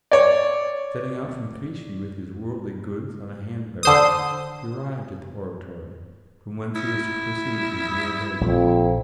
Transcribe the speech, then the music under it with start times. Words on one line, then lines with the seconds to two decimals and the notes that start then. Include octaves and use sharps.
Setting out from Clichy with his worldly goods on a hand-barrow, he arrived at the Oratory, from whence he was to proceed to his new abode.
0.11 C#5 D5
3.83 D3 C5 D#6
6.75 E4
8.41 A#1 F2 F3